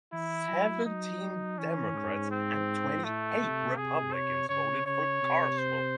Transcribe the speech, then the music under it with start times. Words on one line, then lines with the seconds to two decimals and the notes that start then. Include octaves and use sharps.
Seventeen Democrats and twenty-eight Republicans voted for Carswell.
0.13 E3 E4
0.49 F#3
0.85 F#3 D#4
1.58 E3 C#4
1.95 G#2
2.31 C4
3.04 A2 A3
3.40 C3
3.76 C3 G#4
4.13 C#5
4.49 C#3 C#5
4.86 C#3 C#5
5.23 C3
5.58 C5